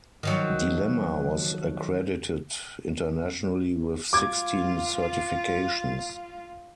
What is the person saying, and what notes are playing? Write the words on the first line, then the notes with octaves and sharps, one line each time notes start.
"Dilemma" was accredited internationally with sixteen certifications.
D#3 F3 F#3
F4 D6 G#6